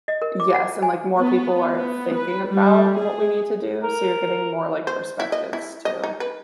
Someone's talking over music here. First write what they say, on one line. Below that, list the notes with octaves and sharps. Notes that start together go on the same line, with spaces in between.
yes, and, like, more people are thinking about what we need to do, so you're getting more, like, perspectives too.
D#5
A#4
D6
F#5
G#5
B3
B3
B4
G3
G#4
A#4
C5
E4
D#5
E4
D#5
D#4
B4